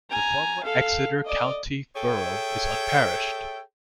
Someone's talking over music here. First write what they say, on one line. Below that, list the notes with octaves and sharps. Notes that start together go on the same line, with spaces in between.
The former Exeter County Borough is unparished.
G#5 A#5
A4 F5
D5 D#5
G#4 A4 C#5 E5 G5